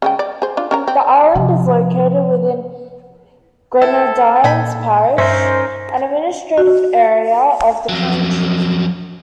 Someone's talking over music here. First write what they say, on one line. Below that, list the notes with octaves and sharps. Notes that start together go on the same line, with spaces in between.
The island is located within Grenadines Parish, an administrative area of the country.
C#3 G#3 G5
D5
G#4 C5
D4 F4
C#4 A#4 A#5
C4
C3 F3
E4 A4
A#2 G5 G#5 B5
G2 C#4 D#4 A#4 C5 E5
F#4
F2 F#3